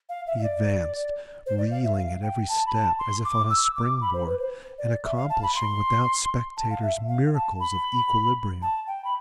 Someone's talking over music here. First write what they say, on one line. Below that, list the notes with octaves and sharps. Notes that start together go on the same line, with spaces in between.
He advanced, reeling at every step, as if on a spring board, and accomplishing, without spectators, miracles of equilibrium.
F5
E5
E5
D5
C5
D5
F5
E5
F5
G5
A5
B5
A5
C6
D6
E6
D6
B5
C5
B4
C5
D5
E5
F5
A5
B5
C6
A5
F5
E5
F5
A5
B5
A5
G5
B5